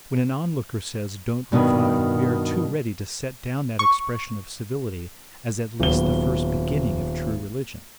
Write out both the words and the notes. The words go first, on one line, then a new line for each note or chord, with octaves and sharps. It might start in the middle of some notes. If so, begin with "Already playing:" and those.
When an onlooker says 'Don't revile,' we are too ready to set down that expression of civility as at least the first beginning of true religion.
G2 B2 D3 D#3
C#6
D#1 F#3 B3 G7